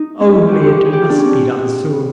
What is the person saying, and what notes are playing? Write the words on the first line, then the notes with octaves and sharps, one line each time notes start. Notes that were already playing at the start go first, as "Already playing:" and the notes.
Only it must be done soon.
Already playing: D#4
C#4
E4
F4
F#4 G4
G4
G4
G#4
G4
F4
D4
C#4
C4